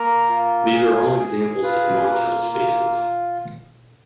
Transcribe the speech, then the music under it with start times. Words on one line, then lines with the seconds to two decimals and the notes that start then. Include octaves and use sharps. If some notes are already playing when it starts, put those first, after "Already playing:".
These are all examples of Montel spaces.
Already playing: A#3 A#4
0.29 F4
0.73 G#4
1.19 G#4
1.63 F4 B4
2.08 A#3
2.53 F4